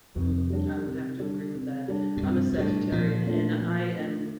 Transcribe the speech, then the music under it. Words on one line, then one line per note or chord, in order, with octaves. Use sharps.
Mhm, I would have to agree with that. I'm a Sagittarian, and I am,
F2 C3
G3 D4 G4
C3
G3 D4 G4
C3
G3 D4 G4
A2
G2 C3
G2
A2 G3 D4 G4
A#2 F3
A3 D4 F4
F3
A3 D4 F4